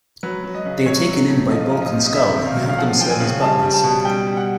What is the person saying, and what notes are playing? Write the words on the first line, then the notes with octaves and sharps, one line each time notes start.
They are taken in by Bulk and Skull, who have them serve as butlers.
F#3 B4
F#3
D#5
C#3
F#3 C#5
F#3
A2
F3 D#5
F3
D#5
C3
D#5
C3 E5
D#3
F5
F#3
F5
F3 F#5
F3 G5
G#5
C#3
G3 A5
G3
A5
B2
G3 G5
G3
F#5